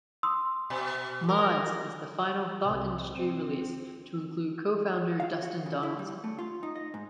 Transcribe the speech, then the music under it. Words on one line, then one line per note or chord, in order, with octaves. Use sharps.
"Mods" is the final Thought Industry release to include co-founder Dustin Donaldson.
C6 D#6 E6
B2
A#4
C2
C4
F5
F#4
C#3
E4
G3
A3
F4
D#4
D#5
G#2